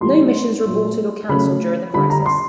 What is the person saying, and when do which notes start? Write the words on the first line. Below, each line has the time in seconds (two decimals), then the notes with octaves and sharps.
No missions were aborted or canceled during the crisis.
0.01 A2 E3 G3 C6
0.65 A#2 F#3 A3
1.29 C#3 F#3 A3 B5
1.94 D3 G3 B5
2.10 A#5
2.26 C6